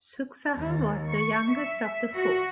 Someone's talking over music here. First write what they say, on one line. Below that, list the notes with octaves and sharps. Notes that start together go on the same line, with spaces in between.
Suksaha was the youngest of the four.
D#2
C#6
E5
F#4